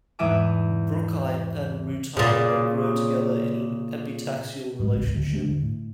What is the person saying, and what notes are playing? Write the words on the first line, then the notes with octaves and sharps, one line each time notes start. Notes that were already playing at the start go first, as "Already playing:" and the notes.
Brookite and rutile may grow together in an epitaxial relationship.
E2 G#2 E3 E5 G#5 D6
A#2 C#3
G#2 G3 G#3
D1 G#1 C#2
D1 D3 B3
G#3 A3 D4
E1 D3
A2